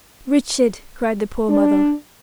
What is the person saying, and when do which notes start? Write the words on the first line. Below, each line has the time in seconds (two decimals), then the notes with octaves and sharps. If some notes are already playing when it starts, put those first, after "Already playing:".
"Richard!" cried the poor mother.
1.49 D4